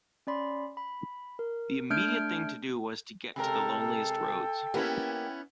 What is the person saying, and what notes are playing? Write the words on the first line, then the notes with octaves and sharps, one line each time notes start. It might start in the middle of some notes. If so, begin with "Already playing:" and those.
The immediate thing to do was to get to the loneliest roads.
C#4 D5 B5 C6
B5
A#4
A3 D4 F6 G6 G#6 D7
C3 G#3 A4 A#4 G5
A#3 B3 C#4 E4 G4